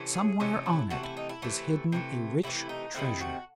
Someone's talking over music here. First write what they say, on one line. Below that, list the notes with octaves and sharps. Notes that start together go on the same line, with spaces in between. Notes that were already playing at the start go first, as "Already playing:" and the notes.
Somewhere on it is hidden a rich treasure.
Already playing: C3 E3 A3 C#4
G#4
C3 E3 A3 C#4 D#4
E4
C3 E3 A3 F#4
E4
D#4
E4
C3 E3 A3
C3 E3 A3
C3 E3 A3 E4
D#4
C3 D#3 A3 C4 E4
F#4